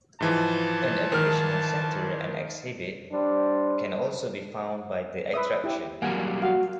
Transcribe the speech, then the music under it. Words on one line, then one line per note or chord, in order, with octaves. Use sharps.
An educational centre and exhibit can also be found by the attraction.
G#2 E3 F3 A5
D#3 F6
G3 D4 C5
B4 E5 D#6
E4 G4
F#3 G3 A#3 F#5 G#5
F#4 F5